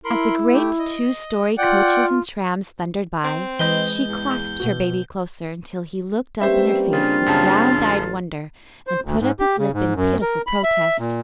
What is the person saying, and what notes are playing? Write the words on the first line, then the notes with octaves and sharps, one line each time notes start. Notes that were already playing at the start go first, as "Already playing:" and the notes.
As the great two-story coaches and trams thundered by, she clasped her baby closer, until he looked up in her face with round-eyed wonder and put up his lip in pitiful protest.
E4 A#4 B5 C6
A3 G4
D#5
F4 D5 F#5 G5
C4
E3 G#3 B4 D#5 G6 G7
E2
B2 F#4
G3 A#3 C4 C#4 G4 B4 C5 E5
C#3 D4 F4
F#2 C#3 A5
A1
C5
D2
G#2
G4
C#3
G#2
F#2
A#4
B5
E5
A#2